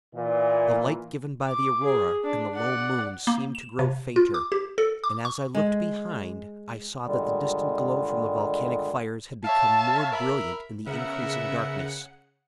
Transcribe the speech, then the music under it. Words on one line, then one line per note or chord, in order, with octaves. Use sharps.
The light given by the aurora and the low moon seemed to grow fainter; and as I looked behind I saw that the distant glow from the volcanic fires had become more brilliant in the increasing darkness.
A#2 E3
D6
G#4
D4
D5 F#5
A#3
E7
C3
F4
D6
G4
A4
D6
C#6
G#3
G2 A#2 D3 D#3 G3 G#3
C#5 E5 F5 A5
A#4 E5 B5
C#3 B3 A#4 E5 F#5 C#7